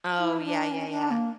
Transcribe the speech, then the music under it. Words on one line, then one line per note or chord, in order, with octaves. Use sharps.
Oh yeah, yeah, yeah.
E4
D#4
D4
C#4
D4
A#3